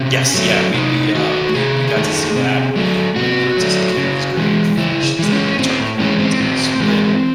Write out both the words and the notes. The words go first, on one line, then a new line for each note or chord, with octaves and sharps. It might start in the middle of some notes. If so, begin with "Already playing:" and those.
Yes, yeah, we we, uh, we we got to see that; we went over to see Kennedy's Grave, which is that eternal flame that's always lit,
Already playing: C3 C#4
F#3 A3
C3 D#4
D#3 A3 F#4
C3 G#4
D#3 A3
C3
F#3 A3
C3 F#4
F#3 A3
C#3
E3 G#3
C#3 E4
E3 G#3
C#4
A2 C4
E3 G#3 C#4
C4
A2
E3 G#3